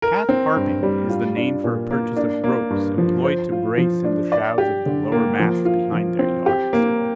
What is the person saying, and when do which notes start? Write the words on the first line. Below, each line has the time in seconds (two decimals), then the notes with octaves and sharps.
Cat-harping is the name for a purchase of ropes employed to brace in the shrouds of the lower masts behind their yards.
0.02 A#4
0.29 C4
0.56 G2
0.83 G3
1.09 F4
1.37 D4
1.64 A#2
1.91 A#3
2.17 D4
2.44 A#3
2.70 G2
2.98 F3
3.24 C5
3.52 F4
3.78 F3
4.04 D4
4.32 D5
4.58 G4
4.86 D3
5.12 A#3
5.40 F3
5.65 F4
5.92 F3
6.19 C4
6.46 G4
6.73 A#3